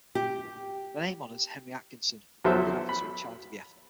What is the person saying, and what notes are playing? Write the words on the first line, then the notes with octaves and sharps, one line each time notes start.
The name honors Henry Atkinson, the commanding officer in charge of the effort.
G4
E2 F3 F#3 A4 C5 E5
B5